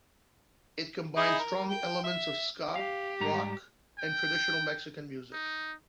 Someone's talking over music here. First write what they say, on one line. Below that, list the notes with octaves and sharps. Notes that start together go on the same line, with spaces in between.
It combined strong elements of ska, rock and traditional Mexican music.
D#4 E4 G#4
A#4
G5
E5
G4 F5
G#2 G3 A#5
G5
D#4